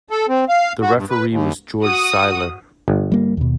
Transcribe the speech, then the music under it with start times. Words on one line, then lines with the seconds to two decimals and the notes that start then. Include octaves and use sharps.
The referee was George Siler.
0.10 A4
0.29 C4
0.49 F5
0.82 F#4
0.95 G2
1.10 B4
1.30 D#2
1.83 F#4 D#6
2.88 G1
3.12 G3 A#3
3.37 D#2 B2